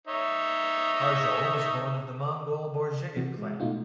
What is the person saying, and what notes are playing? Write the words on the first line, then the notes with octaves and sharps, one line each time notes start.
Harjol was born of the Mongol Borjigit clan.
D#4 C#5 E5
C3 E3 F#4
G#3
B2 A3 D#4 F4 F#4